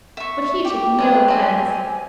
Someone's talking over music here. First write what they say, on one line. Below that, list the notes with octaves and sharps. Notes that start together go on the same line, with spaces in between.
But he took no offence.
E5 C#6
G4 D6
G3 G#3 G#4 B4
F#3 C4 G#5
G#5